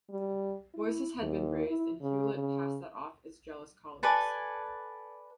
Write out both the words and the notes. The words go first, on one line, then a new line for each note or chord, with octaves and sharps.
Voices had been raised and Hewlett passed that off as jealous colleagues.
G3
E4
D#2
E4
C#3
C#3
A4 B4 D5 G#5